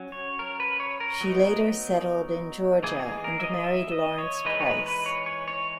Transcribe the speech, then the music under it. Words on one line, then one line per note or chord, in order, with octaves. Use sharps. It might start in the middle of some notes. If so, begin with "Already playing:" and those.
She later settled in Georgia and married Lawrence Price.
Already playing: F#3 C#4
C#5
A#4
B4
C#5
A#4
F#3 B3 D#4
E3 A#3 D#4 G#4
F#4
G#4
A#4
E5
D#5
E5
D#5
C#5
E3 G#3 D#4 B4
C#5
B4
B4
C#5
C#5
C#5